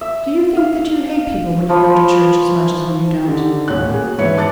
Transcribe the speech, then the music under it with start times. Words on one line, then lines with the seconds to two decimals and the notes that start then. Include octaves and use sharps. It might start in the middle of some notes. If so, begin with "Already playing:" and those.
"Do you think that you hate people when you go to church as much as when you don't?"
0.01 E5
0.57 F5
1.69 F3 C#5 B5 C6
3.26 D3 D#3 G4
3.68 D#1 A1 C#4 F#6
3.89 A#3 G#4
4.03 F#4
4.18 G#2 E3 B4 C#5 E5 C#7
4.37 A5 D6 F#6 A6 C#7